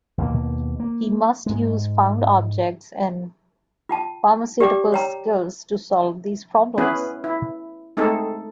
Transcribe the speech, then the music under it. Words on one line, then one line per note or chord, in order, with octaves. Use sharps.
He must use found objects and pharmaceutical skills to solve these problems.
D#2 B2 A#3
A#3
G#2 G#3
F4 G5 A5
G4 D5 G5 D6
C#5 G5 A#5
B3 C#4 E4 G#4 B4
E4
G#3 A3 C4 D#4 G#4 A4